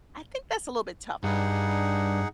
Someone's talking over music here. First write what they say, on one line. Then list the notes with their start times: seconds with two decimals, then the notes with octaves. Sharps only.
I think that's a little bit tougher,
1.24 G2 D#4 G#4 F#5